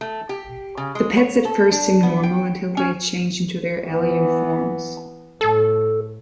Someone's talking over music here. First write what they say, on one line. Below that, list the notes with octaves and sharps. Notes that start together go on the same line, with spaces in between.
The pets at first seem normal, until they change into their alien forms.
A3
G4
C#3
G#3
C#5
A4
D4
B3
G5
C#4
E3 B3
A2 A4